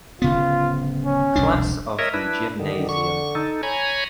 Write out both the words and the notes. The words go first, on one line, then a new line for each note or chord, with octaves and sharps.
Class of the gymnasium.
D1 C#3 B3 F4
C#4
E1 C2 D4
A#4 C#5 D#5 E5
D4 E4 B4
D3 D#3
D3 C#6
D#4 A4
C#5 G#5 A#5 B5